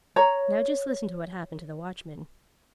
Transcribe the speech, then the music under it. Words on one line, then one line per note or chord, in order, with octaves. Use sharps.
Now just listen to what happened to the watchman.
C#5 A#5